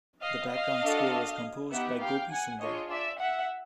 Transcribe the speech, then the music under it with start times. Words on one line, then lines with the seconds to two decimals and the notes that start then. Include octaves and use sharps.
The background score was composed by Gopi Sundar.
0.22 D#5 F5
0.51 D#5 F5
0.82 D4 F#4 A4
1.71 B3 D#4 G4 E5 F#5
2.01 F5 G5
2.31 F#5 G#5
2.60 D4 F4 G#4 C#5 D#5
2.90 D5 E5
3.20 E5 F#5